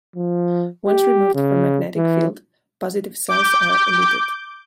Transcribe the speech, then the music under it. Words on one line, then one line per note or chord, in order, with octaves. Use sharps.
Once removed from magnetic field positive cells are eluted.
F3
G4
C#3
E3
D6 G6